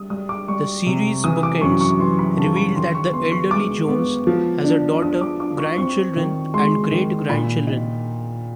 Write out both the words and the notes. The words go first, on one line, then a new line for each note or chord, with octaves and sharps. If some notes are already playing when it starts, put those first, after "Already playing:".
The series' bookends revealed that the elderly Jones has a daughter, grandchildren, and great-grandchildren.
Already playing: G3 D#6
G3 D#6
D6
G3 C#6
C3
E3 D#6
D6
F#2 C#6
C#6
E3 C6
B5
C#3 A5
B5
D#3 C6
C#6
B3 C6
C#6
G#3 D6
B3
F3
D4
D4 D#6
D6
D4 D6
C#6
C4 C#6
D#3
G#3 C6
D#3
A#2 B5
D#4